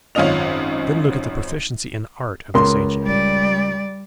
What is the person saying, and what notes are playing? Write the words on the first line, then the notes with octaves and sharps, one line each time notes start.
Then look at the proficiency in art of this ancient people.
G#1 F#2 C#4 F4 D#5 F7
C#2 A#4 C6
G3 D5